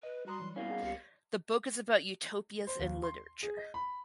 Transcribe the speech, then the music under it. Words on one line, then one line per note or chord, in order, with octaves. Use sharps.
The book is about utopias in literature.
B4 D#5
G3 F#4 A#5 C6 D#6 F#6
E3 F#3
B2 A#3 C#4 E4 F5
D#4 G#4 F#5
C2 G4 C#7
C5
D#2
C6
G#4
D#5
B5